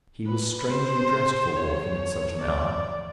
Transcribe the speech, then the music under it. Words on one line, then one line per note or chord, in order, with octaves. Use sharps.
He was strangely dressed for walking at such an hour.
B4
C5
C#5
D5